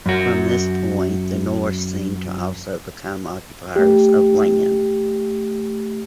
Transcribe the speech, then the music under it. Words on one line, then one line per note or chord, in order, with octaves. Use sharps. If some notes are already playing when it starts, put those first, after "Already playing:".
From this point the Norse seem to also become occupiers of land.
F#2 F#4
A3 G4